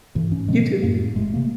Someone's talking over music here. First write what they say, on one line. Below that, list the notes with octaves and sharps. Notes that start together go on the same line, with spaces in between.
You too.
D2 G#2 E3
G#2 C#4
B2 D3 F3 G#3
F#2 A2 A#3
F#1 A#2 G#3 A3
C3 A#3